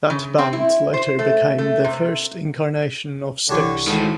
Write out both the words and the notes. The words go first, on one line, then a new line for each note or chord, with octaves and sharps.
That band later became the first incarnation of Styx.
C#3
C4
E4
C5
A3
A3
C3
C2 D3 E3 D4 G4 C#5
A2 D#3 G#3 B5